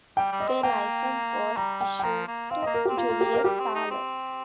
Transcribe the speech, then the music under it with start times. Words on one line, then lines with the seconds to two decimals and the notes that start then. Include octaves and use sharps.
The license was issued to Julius Thaller.
0.17 G3 G5
0.32 G3
0.40 D#5
0.48 C4
0.63 A#3 G5
1.57 G3 A#5
1.81 G5
2.00 G5
2.03 F3 A#5
2.28 A#3
2.50 C4 F5
2.63 D#5
2.67 A#3
2.74 A#4
2.85 G4
2.89 C4
2.97 A#3 F4
3.09 F4
3.21 G4
3.34 A#4
3.44 G3 G4
3.59 C4
3.75 D#4
3.91 C4